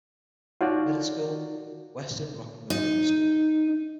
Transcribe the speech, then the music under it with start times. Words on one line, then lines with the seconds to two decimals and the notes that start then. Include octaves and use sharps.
Middle School: Western Rockingham Middle School.
0.61 D#4 F4 F#4 C#5 D5 F#5
2.70 D#4